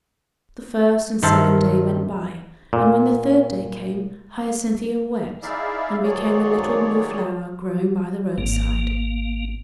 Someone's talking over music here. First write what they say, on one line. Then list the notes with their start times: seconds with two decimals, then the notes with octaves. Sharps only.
The first and second day went by; and when the third day came, Hyacinthia wept, and became a little blue flower growing by the roadside.
1.23 G2 D#3 A#4 C5 E5 A5
2.73 A#2
5.43 D#4 E4 G#4 D5 E5 F5
6.03 D#3 F3 F#3 G#4 C#5 D5
8.38 G#1 A#3